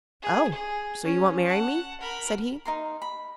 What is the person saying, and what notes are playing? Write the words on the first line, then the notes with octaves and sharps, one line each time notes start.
'Oh! so you won't marry me?' said he.
G#4
G#4
C#4
F#5 A5
A#4 B5
D#4 A#4 C6
B5